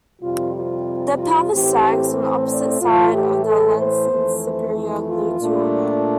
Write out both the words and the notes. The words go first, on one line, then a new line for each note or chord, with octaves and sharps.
The pelvis sags on the opposite side of the lesioned superior gluteal nerve.
F2 C3 G3 F4
F4
F4
A2 E3 A3 C4 G4
C5
D5
A2 E3 A3 F4
G4
A4
C5
F2 E3 A3
C5
E4
F4
A#2 A3 D4